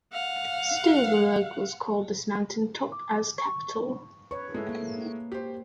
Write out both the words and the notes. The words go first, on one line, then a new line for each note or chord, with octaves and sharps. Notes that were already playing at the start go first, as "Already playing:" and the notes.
Still the locals called this mountain top as kapital.
F5 F#5
D6
C#6
B4 C#5 C#6
G#3 A3 E4
A#3
G4 C5